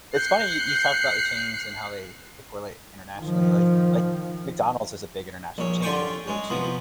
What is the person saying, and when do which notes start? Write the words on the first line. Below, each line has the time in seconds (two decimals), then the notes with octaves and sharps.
It's funny you you talked about the chains and how they they correlate internationally, like like, McDonald's is a big international chain and when you go to
0.15 F#6 G6 C7 C#7
3.19 D#3 F3
5.58 A#1 C#4
5.82 D3 F4 G4 G5 G#5 C#6
6.27 G#3 C#4
6.50 C3 F3 B3